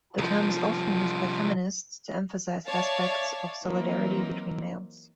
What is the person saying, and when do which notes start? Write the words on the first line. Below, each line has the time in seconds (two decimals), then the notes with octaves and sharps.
The term is often used by feminists to emphasize aspects of solidarity between males.
0.18 C2 F3
2.65 C#5 D5 E5 F5 A5
3.64 E3 F#3 A#3 C4 D#4